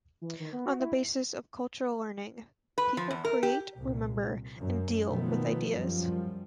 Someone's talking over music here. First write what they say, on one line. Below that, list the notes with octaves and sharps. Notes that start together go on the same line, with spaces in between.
On the basis of cultural learning, people create, remember, and deal with ideas.
E3
D#3
B3
F#4
E4
B4
F3
E2
A#4
G4
C2 A#2
F#2
B2 D#3 F3 F#3 A3 B3
F#2 F3 G3